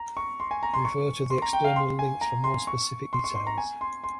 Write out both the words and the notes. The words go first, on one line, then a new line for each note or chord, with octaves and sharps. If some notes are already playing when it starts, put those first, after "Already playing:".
Refer to the external links for more specific details.
Already playing: A#5
C#6
C6
G#5
A#5
C6
C#6
C6
A#5
G5
F5
C6
G#5
A#5
C6
C#6
C6
C#6
C6
A#5
G#5
C6
C6